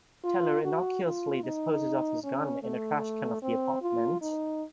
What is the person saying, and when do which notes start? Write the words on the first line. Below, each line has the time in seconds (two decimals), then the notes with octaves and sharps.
Teller innocuously disposes of his gun in a trashcan of the apartment.
0.24 F4
0.64 F#4
1.04 F4
1.44 D#4
2.24 C#4
2.63 A3
3.43 C4
3.82 F4
4.22 D#4